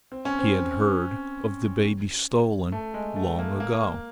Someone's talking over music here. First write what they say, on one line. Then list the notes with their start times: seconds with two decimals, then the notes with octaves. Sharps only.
He had heard of the baby stolen long ago.
0.12 C4
0.25 C#4
0.39 C4
2.72 A3
2.94 G#3
3.16 A3
3.39 A#3
3.60 A#3